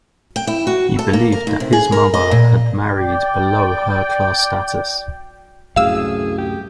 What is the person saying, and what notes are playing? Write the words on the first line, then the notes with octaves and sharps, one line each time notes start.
He believed that his mother had married below her class status.
G5
E4
F#4
A4
A#3
A#4
D#2
C3
G#4
A#4
D#5
A#2
D5 G5
C2 F#2 A2 G#4 F5 E6
G4